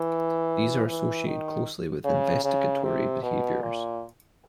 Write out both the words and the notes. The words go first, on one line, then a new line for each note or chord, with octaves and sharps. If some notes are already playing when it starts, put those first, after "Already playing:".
These are associated closely with investigatory behaviors.
Already playing: E3
E3
D#3
C#3
C#3
C3
B2
A#2